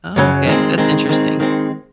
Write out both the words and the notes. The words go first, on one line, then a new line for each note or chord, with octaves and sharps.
Oh, okay, that's interesting.
F#2 C#3 F#3
D#3 G#3 C4
D#3 G#3 C4
D#3 G#3 C4
D#3 G#3 C4